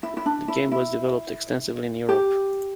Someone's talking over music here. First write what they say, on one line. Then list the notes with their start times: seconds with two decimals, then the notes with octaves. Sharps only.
The game was developed extensively in Europe.
0.03 E4
0.17 E4
0.26 D4
0.48 E4
0.71 E4
2.09 G4